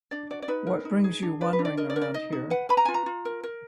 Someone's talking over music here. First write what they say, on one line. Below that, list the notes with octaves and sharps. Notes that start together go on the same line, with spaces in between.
What brings you wandering around here?
D4 D5
F#4 D5
D5
D#4 B4
A#4
D#4
G#4
D4
B4 D5
B4
D4
D5
A#4 D#5
D5
A#4
D5
D#4 D#5
D#4
B4 F#5
B4 B5
A#5
F4 G#5
A#5
F4
A#4
A#4